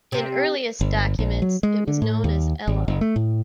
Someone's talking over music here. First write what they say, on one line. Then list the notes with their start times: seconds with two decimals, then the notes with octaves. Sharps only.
In earliest documents, it was known as "Elhov".
0.12 C3
0.81 G1
1.19 A#1
1.42 F#3
1.63 G#3
1.88 D3
2.02 A2
2.24 D#2
2.68 G#1
2.88 F#1
3.01 A3
3.16 A2